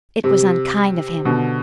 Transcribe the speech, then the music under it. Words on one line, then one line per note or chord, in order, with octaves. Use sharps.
It was unkind of him.
C3
B2 D3